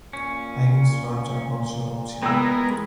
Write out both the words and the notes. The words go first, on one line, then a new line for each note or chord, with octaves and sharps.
Hiking straps are also optional.
A#2 C#4
E3 G#3 B3 A#4 B4 G5 E6